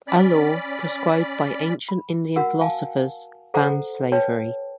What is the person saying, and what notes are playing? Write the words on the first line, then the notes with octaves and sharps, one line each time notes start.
A law, prescribed by ancient Indian philosophers, bans slavery.
C#4 D5 B5
B5
F#4 A#4 F#5 E6
F5 G#5 A5
A4 C5 F#5 A#5
B4 C#5 G5 A5